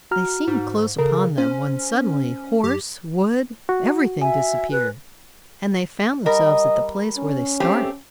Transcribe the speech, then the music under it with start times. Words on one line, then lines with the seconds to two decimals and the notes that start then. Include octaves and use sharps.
They seemed close upon them, when suddenly horse, wood, everything disappeared, and they found themselves at the place where they started.
0.11 F#4 A#5 F6
0.48 G#2
0.99 C#3 A4 A#4
1.38 C#4 C5
2.64 F#2 G4
3.69 F#4
4.22 E5 G#5
4.71 B4
6.26 G3 A#4 D#5
7.17 C#4
7.60 A3 C4 G4